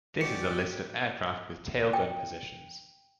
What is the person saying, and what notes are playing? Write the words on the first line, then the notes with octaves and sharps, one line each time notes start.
This is a list of aircraft with tail gun positions.
G#2 B2 F#3 G4 D5 C#7
G5